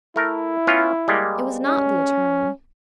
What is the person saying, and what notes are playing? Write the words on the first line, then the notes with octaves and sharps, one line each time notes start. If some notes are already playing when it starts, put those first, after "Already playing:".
It was not the attorney.
A3 E4 A#4
B3 C#4 F4
G3 G#3 A#3
C#4